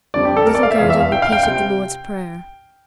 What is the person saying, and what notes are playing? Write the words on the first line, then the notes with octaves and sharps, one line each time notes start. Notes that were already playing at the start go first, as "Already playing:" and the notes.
Little Gerda repeated the Lord's Prayer.
F2 D3 G3 D5
G4
A4
A#4
D5
F5
E5
F1 E2 E3 F5
E5
F5
G5
F5
G5
C3 G5